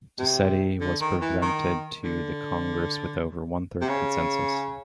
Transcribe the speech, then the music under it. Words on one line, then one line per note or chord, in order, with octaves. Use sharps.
Dossetti was presented to the Congress with over one third consensus.
C3
D3
D#3
E3
D#3
D3
C3
C#3